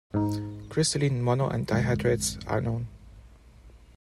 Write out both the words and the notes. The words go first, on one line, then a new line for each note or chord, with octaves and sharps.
Crystalline mono- and di-hydrates are known.
G#2 D#4
G#1 F2 D3 G#3